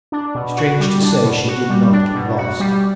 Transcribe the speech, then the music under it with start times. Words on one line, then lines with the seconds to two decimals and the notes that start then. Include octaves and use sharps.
Strange to say, she did not get lost.
0.12 D4
0.35 B2
0.57 F#4
0.80 G3
1.02 D4
1.25 B2
1.48 F#4
1.69 G3
1.92 D4
2.15 B2
2.37 F#4
2.60 G3